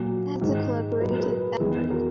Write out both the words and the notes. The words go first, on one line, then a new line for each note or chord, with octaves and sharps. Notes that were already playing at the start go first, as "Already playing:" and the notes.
As a collaborative effort.
Already playing: A#2 F#3
G#2 D#3 G#3
A#2 F#3 B4
A#4
G#4 B4
E2 D#3 G#3 E4 G#4
F#4 A#4